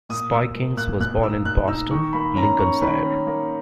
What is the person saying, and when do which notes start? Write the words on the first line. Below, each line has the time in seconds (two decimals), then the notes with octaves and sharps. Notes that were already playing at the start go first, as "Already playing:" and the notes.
Spikings was born in Boston, Lincolnshire.
0.09 A#2 D#6
0.32 A#2 E6
0.55 A#3
0.77 A#2 F#6
1.00 A#2 F#6
1.22 D#4 E6
1.45 A#2 F#6
1.68 D#4 E6
1.91 D#3 C#6
2.13 A#3 B5
2.35 C#4 A#5
2.59 C#4 C#6
2.82 D#3 B5
3.04 C#4
3.27 A#3